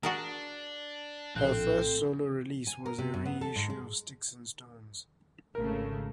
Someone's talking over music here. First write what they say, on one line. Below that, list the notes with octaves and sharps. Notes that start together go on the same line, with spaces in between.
His first solo release was a reissue of "Sticks and Stones".
D4 F#4 G#4 A#4
A#1 A2 C4 F5 F#6
G#5
A#4
C3
F#2
B3
A4
G#2
G#3
G#1 C#3 A3 A#4